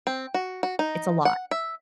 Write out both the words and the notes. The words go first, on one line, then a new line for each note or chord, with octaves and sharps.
it's a lot.
C4
F#4
F#4
D#4
F#5
E5